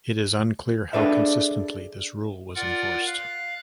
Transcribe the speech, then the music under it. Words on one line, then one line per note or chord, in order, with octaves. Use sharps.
It is unclear how consistently this rule was enforced.
D4 G#4 A4 B4 D5 E5
F4 A#4 D5 F#5
F5 F#6